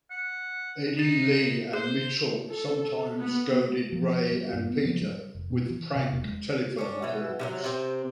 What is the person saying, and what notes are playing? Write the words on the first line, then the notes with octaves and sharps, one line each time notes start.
Eddie Lee and Mitchell sometimes goaded Ray and Peter with prank telephone calls.
F#5
D#4 A6
G#4 C5 F#6
A4
B3
F3
G3
G2
B3
F3
G3
F1
B2
E3
C3
E1
G#3
C#4 D4
B2 E3
C3 F3 F#3
C3 C4